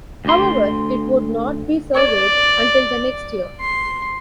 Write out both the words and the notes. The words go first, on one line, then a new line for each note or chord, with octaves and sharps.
However it would not be surveyed until the next year.
D2 C6
D5
C6